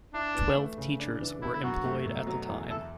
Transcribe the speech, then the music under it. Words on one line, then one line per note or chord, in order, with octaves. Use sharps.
Twelve teachers were employed at the time.
D4 E4
E3
A3
C#3
D4
E3
B3 E4
E4
F#2 F#4
A3
B2
F#3
E2
E4 A4